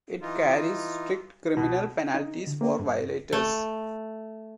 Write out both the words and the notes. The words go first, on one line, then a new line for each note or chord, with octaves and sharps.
It carries strict criminal penalties for violators.
E3 D#4 F4
B2
D#4
D3
A#3
G2
A3